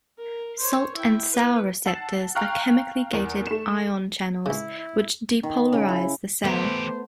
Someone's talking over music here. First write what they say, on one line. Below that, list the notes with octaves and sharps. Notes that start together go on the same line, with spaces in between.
Salt and sour receptors are chemically gated ion channels, which depolarize the cell.
A#4
C5 C#5
E4 G5
B4
F#5 A5 E6 A6 C7 E7
F5 G5 A#5 C#6 F6 F#6
E2 A#4
A3 E7
C#2 C#3 E4
E4
D#3
C#3
E4
E3 A3 B3 G4 C5